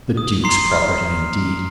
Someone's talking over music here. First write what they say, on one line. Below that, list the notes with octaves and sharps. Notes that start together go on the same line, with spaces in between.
The Duke's property, indeed!
D#6
A#5 C6 C7
F6